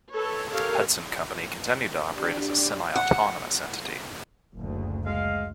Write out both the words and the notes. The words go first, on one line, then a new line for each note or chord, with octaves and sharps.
Hudson Company continued to operate as a semiautonomous entity.
A4 B4 C#5
G4 A4 A#4 C#5 F5
D4 G4 D5
F#5
F#1 D2
G#3 F5